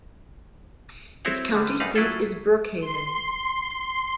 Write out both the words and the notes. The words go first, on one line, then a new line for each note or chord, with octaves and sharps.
Its county seat is Brookhaven.
C4 E4 F#4 C5 C#5 F#5
D3 G3
F#2 G3 D#4 B4 F5
F#3 E4 F4 G#4 A4
C6